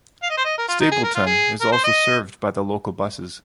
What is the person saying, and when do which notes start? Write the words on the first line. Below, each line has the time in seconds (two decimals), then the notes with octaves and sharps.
Stapleton is also served by the local buses.
0.23 F5
0.30 D#5
0.37 C5
0.45 D#5
0.57 A#4
0.68 F4
0.80 D#4
0.91 G#4
1.03 A#4
1.14 F4
1.26 G#4
1.61 A#4
1.72 C5
1.84 D#5